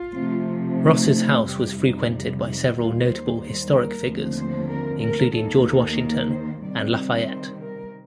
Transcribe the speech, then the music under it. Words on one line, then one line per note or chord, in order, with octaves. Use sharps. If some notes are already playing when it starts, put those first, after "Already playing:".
Ross's house was frequented by several notable historic figures, including George Washington and Lafayette.
Already playing: F4
C3 F3 A3
D#4
D#4
F2 C3 G3 G4
D#4
D#4
D#2 D#3 G3 A#3 F4
C5
C5
A#4
D#2 D3 F3 A3 C4
C5
A#4
A#4
D#2 D#3 A#3 A4
A4
A#4
C5
C3 D#3 G3 C4 D5
C5
A#4